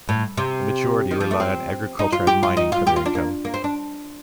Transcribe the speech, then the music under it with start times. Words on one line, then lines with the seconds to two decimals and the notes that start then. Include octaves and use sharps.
The majority rely on agriculture and mining for their income.
0.09 A2
0.37 C3
1.11 D#3
1.20 F3
1.31 A3
1.40 C4
1.99 D#4
2.12 F4
2.27 G4
2.43 F4
2.57 D#4
2.72 F4
2.87 G4
2.96 F4
3.06 D4
3.15 A#3
3.45 A#3
3.54 C4
3.64 D4